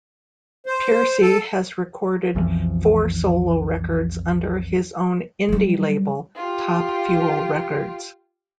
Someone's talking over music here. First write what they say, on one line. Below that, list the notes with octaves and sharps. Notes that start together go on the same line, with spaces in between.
Pearcy has recorded four solo records under his own indie label Top Fuel Records.
C5
A4
B1 F2 E3 F3
F#3 G3
F4 G4